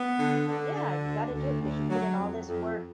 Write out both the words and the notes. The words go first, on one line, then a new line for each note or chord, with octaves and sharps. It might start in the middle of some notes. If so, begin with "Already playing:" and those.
Yeah, you gotta do it because you put in all this work
Already playing: B3
D3
D3
D3
D2
D2
D2
F#3
F2
F2